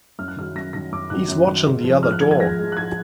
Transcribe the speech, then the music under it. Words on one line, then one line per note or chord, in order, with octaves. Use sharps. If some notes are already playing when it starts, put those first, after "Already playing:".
He's watching the other door.
F#2 F6
F#6
D#3 F#3 F6
F#2 A#6
D#3 F#3 A#6
F#2 D6
D#3 F#3 F#6
F#2
D#3 F#3
G#2
F3 G#3
G#2 F6
F#6
F3 G#3 G#6
G#6
G#2 A#6
F3 G#3
F#6
G#2 G#6